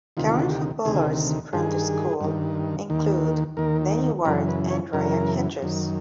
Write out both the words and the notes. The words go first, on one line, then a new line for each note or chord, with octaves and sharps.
Current footballers from the school include, Danny Ward and Ryan Hedges.
D2 C3 D#3 F4
F4
F#4
G4
D2 C3 D#3 G#4
G2 D#3 G#4
G2 D#3
D#2 D#3
D#2 D#3 A#4
F#2 C#3 E3 A#4
B4
C#5
F#2 C#3 E3 A#4
F#2 D#3